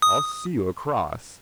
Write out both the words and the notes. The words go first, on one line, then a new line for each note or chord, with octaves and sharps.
I'll see you across.
D#6